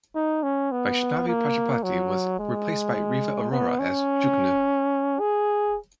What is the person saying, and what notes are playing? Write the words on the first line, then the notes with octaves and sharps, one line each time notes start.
Vaishnavi Prajapati was replaced by Riva Arora as Jugnu.
D#4
C#4
B3
A#3
F#3
G#3
B3
C#4
G#4